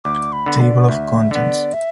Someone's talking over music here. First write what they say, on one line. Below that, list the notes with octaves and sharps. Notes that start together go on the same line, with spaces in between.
Table of Contents.
D2 D6
B5
D3 B3
D5
D2 E5
D3 B3 D5
E5